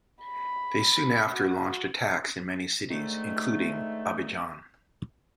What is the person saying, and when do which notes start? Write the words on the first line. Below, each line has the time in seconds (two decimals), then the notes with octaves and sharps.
They soon after launched attacks in many cities, including Abidjan.
0.23 B5
1.34 F#4
2.90 G#2 D3 D#3 A3